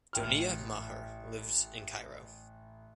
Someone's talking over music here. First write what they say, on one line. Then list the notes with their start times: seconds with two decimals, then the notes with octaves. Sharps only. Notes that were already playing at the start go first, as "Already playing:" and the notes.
Donia Maher lives in Cairo.
0.13 A1 G5 F6